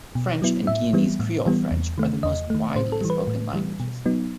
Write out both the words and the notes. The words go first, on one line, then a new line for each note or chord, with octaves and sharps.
French and Guianese Creole French are the most widely spoken languages.
B2
F#3 B3 E4
A2 E5
E3 G3 B3
A2
E3 G3 B3
E2
D#3 A3
E2 D#5
D#3 A3
A2 C5
A4
E3 G3
B4
A2
E3 G3
B2
F#3 B3 D#4